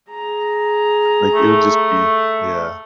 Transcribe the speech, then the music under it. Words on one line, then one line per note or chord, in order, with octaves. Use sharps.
like, it would just be Yeah.
G#4 A#5
A3